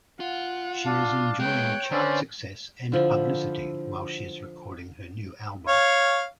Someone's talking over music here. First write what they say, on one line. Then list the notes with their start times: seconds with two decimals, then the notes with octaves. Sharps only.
She is enjoying chart success and publicity while she is recording her new album.
0.20 F4 F#5
0.86 D4 F5 A5
1.40 G#3 B3 C#5 G5 F#6
1.92 D3 C#4 B4 C5 D5
2.92 D3 F3 E4
5.68 C#5 F5